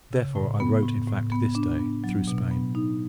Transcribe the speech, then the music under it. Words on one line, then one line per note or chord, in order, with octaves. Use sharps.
Therefore, I wrote, in fact, this Day, through Spain.
C#3
A2
B3
A2
A2
B3
D4
B3
F#3
B2
B3
D#4